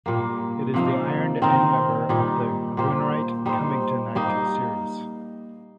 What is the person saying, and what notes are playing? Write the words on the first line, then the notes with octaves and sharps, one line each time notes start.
It is the iron endmember of the grunerite-cummingtonite series.
A#2 G3 A#3
C3 F3 A#3 D#4
D#3 C4 D#4 A#4
A#2 G3 D#4
A#2 A#3 G4 C5
G3 D#4 C5
G3 A#3 D#4